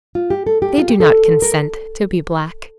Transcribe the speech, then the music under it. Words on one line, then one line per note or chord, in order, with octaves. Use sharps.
They do not consent to be black.
F4
G4
A4
G4
F4
G4
A4
A#4